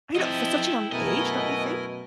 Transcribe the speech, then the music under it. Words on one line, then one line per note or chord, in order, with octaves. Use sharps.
I know for such a young age, don't you think?
C3 F3 E4 A4 D#5 G5
F#2 B2 A3 E4 A#4 B4 D#5 G#5